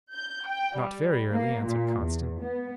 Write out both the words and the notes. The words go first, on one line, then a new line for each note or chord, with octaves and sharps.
"Not very early," answered Constance.
G6
G5
G3
A#3
A#2
E2
B3